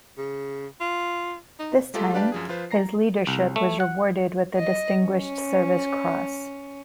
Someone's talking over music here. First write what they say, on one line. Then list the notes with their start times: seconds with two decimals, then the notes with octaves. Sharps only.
This time, his leadership was rewarded with the Distinguished Service Cross.
0.18 C#3
0.80 F4
1.59 D#4
1.94 G#3 A3 F4 G4 A4
2.14 D4 G4 B4 D5 F5 A5
2.32 F#2 F3 G#4
2.49 F3 F4 B4 C5
2.71 A#5 A#6 C7
3.27 C2
3.56 A3
3.80 F#5
4.56 D#5
5.03 C#4